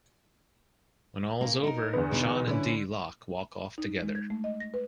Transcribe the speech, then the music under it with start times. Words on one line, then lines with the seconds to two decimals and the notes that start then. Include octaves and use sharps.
When all is over, Sean and Dee Loc walk off together.
1.41 C#3 A#3
1.63 D#4 A#4
1.93 E2 D3 B3
2.11 B2 D#4 B4
2.47 D3 C#4 E4 B4
3.78 D#4
4.02 G#3
4.15 G#6
4.30 A3
4.44 D#5
4.60 A#6
4.74 B4